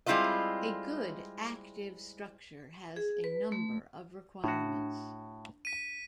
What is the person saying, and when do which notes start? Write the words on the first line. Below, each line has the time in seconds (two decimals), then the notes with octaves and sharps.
A good active structure has a number of requirements.
0.06 G3 G#3 C4 E4 F4 D#5
2.96 G#4
3.24 B4
3.52 A3
4.44 A2 D4 F#4
5.65 B6 D#7